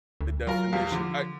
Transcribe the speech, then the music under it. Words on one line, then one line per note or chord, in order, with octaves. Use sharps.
the definition I
D2
F#3 F4 A#4
E2 G3 F5
D3 F3